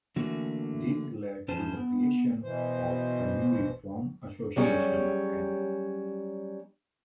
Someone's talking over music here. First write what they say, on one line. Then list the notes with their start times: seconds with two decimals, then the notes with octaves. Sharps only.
This led to the creation of a new "Reform Association of Canada".
0.16 D3 E3 A3 A#3 F#4
1.48 F2 E3 C#4 C5 A5
1.77 B3
2.42 B2 E3 C5
4.56 F#3 G3 C#4 G4 G#4 C#5